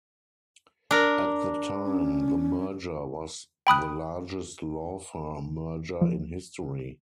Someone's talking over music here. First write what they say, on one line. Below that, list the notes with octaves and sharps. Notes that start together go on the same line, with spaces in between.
At the time, the merger was the largest law firm merger in history.
D4 A#4
C#4
G5 B5 D#6 F#6
F3